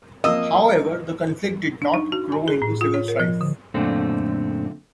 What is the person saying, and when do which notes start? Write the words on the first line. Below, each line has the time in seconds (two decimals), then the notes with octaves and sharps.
However, the conflict did not grow into civil strife.
0.24 F3 A#3 D#5 E6
1.82 D4
1.94 D#4
2.12 F#4
2.32 G#5
2.48 G#4
2.62 A2
2.81 F4
2.94 C#5
3.08 A#4
3.20 F3
3.41 D3
3.74 F#2 A#2 D3 A3 C4